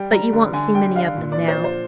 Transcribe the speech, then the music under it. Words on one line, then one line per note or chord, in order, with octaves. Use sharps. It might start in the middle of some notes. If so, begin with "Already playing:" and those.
But you won't see many of them now.
Already playing: G3 G5
G3 A#5
D3
D3 G#5
G3 G5
D3 F5
A#2
D5
F3
C5
F3
C5